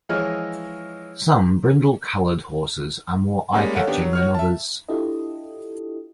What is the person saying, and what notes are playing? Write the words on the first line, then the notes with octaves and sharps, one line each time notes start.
Some brindle-colored horses are more eye-catching than others.
E3 F3 G#3 C#5 D#5 F6
G3 G#3 A#3 C#4
A4 C#5 F5 F#5
D#3 B3 D4 G4
F#3
F#4 C#5 F6
E5 A5
D4 E4 F4 G4 A4 D#5